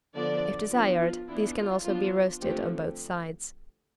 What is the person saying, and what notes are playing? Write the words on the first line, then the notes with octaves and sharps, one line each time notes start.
If desired these can also be roasted on both sides.
D3 F3 B3 D4 D5
F3 B3 D4
F4
E3 B3 D4 E4
F4
F3 B3 D4 F4
D3 F3 A3 C4 G4